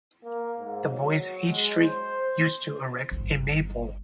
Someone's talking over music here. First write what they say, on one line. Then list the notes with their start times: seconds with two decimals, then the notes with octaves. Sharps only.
The boys of each street used to erect a Maypole.
0.24 A#3
0.59 G#2
0.89 F#3
1.48 G#3
1.83 C5
3.11 G1